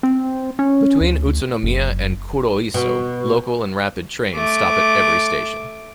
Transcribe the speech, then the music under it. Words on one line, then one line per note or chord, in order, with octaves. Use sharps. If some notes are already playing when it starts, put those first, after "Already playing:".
Between Utsunomiya and Kuroiso, local and rapid trains stop at every station.
C4
C#4
D2
F#1
B2
A3 D6